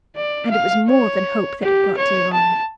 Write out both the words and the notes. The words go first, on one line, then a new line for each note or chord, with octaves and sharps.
And it was more than hope that it brought to Yvonne.
D5
F5
C#5
G4
C#5
A5